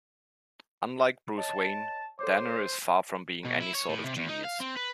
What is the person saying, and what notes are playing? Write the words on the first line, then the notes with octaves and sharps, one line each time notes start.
Unlike Bruce Wayne, Danner is far from being any sort of genius.
C#5 D#5 A5
A4 C5 C#5 D6
B2
E4
C#5
A2
C3
E2
D#4
F5
C4
B4